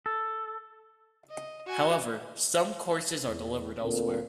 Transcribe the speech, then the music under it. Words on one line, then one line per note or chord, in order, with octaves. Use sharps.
However, some courses are delivered elsewhere.
A4
D#5
F#4 G#5
E2
D2 A#2 C4 A4 A#4